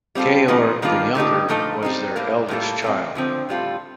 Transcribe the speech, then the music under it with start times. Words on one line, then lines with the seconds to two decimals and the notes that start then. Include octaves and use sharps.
Georg the Younger was their eldest child.
0.15 G3 C4 F4 A4
0.48 A#2 F3 A3 C4 D#4
0.82 D#3 G3 A#3 D4 F4
1.15 D3 A3 D#4 G4
1.49 A#2 F3 A3 D#4 A4
1.82 G3 C4 D#4
2.16 A2 G3 A#3
2.49 A2 G3 A#3 F4 A4
2.82 A#2 A3 C4
3.15 D3 F3 C4
3.49 A2 G3 C4 F4 A4